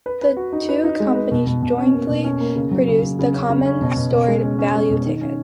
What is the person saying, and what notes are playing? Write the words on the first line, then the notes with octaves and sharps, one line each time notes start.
The two companies jointly produced the common stored value ticket.
B4
B4
F#4
D#4
B4
D#4
G#3
B4
B2
B2
B2
C#4
A#3
B2
C#4
A#3
C#3
F#3
C#3
C#3
C#3
C#4
C#3
C#4
B2
B2
B2
G#3
C#4
C#4
G#3
B2
D#3
C#4